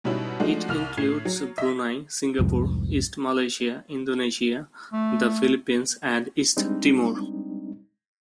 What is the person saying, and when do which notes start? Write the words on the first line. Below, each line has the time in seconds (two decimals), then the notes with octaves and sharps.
It includes Brunei, Singapore, East Malaysia, Indonesia, the Philippines and East Timor.
0.04 G#2 B2 G3 C#4 E4 F#4
0.40 F3 G#3 A3 D4 F#4
0.69 C2 F6 F7
0.97 A2 G#6 C7
1.25 F#3
1.58 D#5 E5 B6
2.39 C2 F2 G#2
4.93 A3
6.57 G3 G#3 C4 D4 D#4